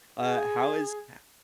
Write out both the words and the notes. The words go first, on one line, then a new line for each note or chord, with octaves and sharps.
uh, how is ha
G#4